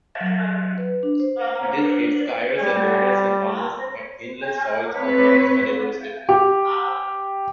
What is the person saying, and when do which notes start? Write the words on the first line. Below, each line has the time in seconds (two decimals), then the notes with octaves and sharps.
This gives skiers and boarders an almost endless choice of runs on their doorstep.
0.21 F#3
0.78 B4
1.03 D4
1.20 C5
1.55 A#5
1.76 D4
2.62 G3
4.94 C4 B4 C#5
6.29 G4